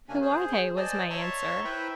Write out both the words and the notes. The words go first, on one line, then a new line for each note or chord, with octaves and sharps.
"Who are they?" was my answer.
C3 A#3 C#4 D4 G#5
G#4 C5
C5 D5 D#5 G#5 A5
C#5 E5 A5 A#5 C6 C#6
E4 B4 C5 E5 G5 B5